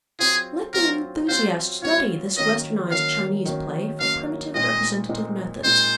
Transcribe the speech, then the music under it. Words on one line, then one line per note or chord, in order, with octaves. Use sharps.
Let the enthusiast study this westernized Chinese play for primitive representative methods.
F#3 C4 F4 G#4
F#3 C4 F4 A#4
F#3 C4 F4 C5
F#3 C4 F4 C#5
D#3 F#3 A#3 C#4 D#5
D#3 F#3 A#3 C#4 F5
D#3 F#3 A#3 C#4
D#3 F#3 A#3 C#4 F5
A#2 G#3 C4 D#4 D#5
A#2 G#3 C4 D#4
A#2 G#3 C4 D#4 C5